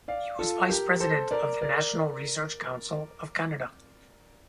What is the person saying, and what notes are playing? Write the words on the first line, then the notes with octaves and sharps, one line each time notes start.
He was Vice-President of the National Research Council of Canada.
D5 F5
F4 A4
G4 A#4
A4 C5
A#4 D5
A#4 D5